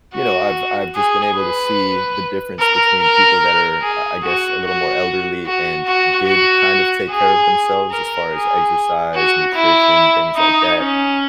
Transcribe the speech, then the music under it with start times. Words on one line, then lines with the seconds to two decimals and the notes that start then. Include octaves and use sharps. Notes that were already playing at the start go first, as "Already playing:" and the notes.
you know, I've I've just been able to see the difference between people that are, I guess, a little more elderly and did kind of take care of themselves as far as exercise, nutrition, things like that
0.14 F#4
0.95 G#4
1.36 B4
2.59 A#4
3.01 A#4
3.81 G#4
4.22 F#4
4.64 F#4
5.46 F#4
5.86 F#4
6.27 F#4
7.09 G#4
7.91 A#4
8.33 G#4
9.14 F#4
9.54 E4
10.36 D#4
10.78 C#4